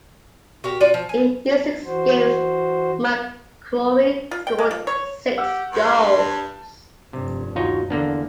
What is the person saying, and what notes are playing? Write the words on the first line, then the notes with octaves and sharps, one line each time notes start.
In these six games McGrory scored six goals.
F#4 G4 A#4
D4 F4 F#4 D5
F3
G#5
E3 F#4 C5
F4
G5
G#3
F3
C#5
G4 F#5 E6
G2 C6
A5
F1 G2 C3
D#2 D#4 F4 F#4 C#5
E2 D3 A#3 B3 D4